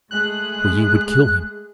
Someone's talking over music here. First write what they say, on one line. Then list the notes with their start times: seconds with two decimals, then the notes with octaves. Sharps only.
"For ye would kill him."
0.11 G#3 A3 G#4 F#6